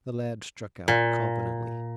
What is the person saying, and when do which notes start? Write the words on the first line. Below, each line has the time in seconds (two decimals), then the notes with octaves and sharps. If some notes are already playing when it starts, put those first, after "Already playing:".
The lad struck out confidently.
0.88 A#2